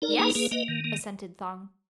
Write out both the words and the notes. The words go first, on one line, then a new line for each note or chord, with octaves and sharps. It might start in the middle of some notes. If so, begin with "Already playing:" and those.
"Yes," assented Thong.
D#4 A#4 D5
A#3 G#4 B4
A#3 G#4 B4
A#3 B4 D#5
D#3
A#3